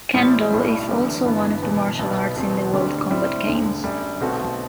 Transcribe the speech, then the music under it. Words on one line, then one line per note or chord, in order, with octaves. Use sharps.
Kendo is also one of the martial arts in the World Combat Games.
A1 A2 G3 C4
B1 A2 G3
F#1 E2 D3 G3
G1 G2 E3 B3
F#1 E2 B2
B1 B2 G3 B3
E1 E2 B2 F#3 C4
D2 D3 G3 C4 G4
A2 G3 C4 E4
E1 D2 D3
F#2 D3 G3
B1 B2 A3 C4 F#4